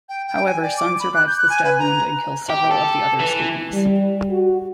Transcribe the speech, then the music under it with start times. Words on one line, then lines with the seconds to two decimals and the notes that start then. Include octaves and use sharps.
However Sun survives the stab wound and kills several of the other escapees.
0.09 G5
0.27 G5
0.46 G#5
0.62 D5
0.77 D6
0.99 B5
1.14 F#6
1.27 G6
1.38 F#6
1.50 G#5
1.64 B4
1.79 A#5
2.50 G4
2.71 A4
3.20 E3
3.73 G3
4.29 F#4